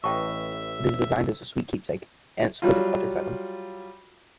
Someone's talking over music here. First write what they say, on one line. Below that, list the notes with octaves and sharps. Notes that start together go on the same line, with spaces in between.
It is designed as a sweet keepsake, an exquisite collector's item.
A1 B4 D#5 E5 G5 A5 C#6
F#3 G3 F4